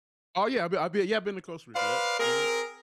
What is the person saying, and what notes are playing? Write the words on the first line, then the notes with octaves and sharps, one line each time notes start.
Oh, yeah, I've bee I've been yeah, I've been to Costa Rica. Yep, yeah.
B4 C5 D5 F5
C4 G#4 A#4